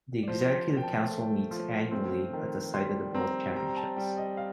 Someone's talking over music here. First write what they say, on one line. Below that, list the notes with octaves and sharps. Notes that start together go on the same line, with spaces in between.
The Executive Council meets annually at the site of the World Championships.
D5
F3 C5
A#2
G5
A5
A3
F3
C4
D#3
G3 C6
C4 A#5
G3 A#5
A#5
A5
G3 G5
D#5
F5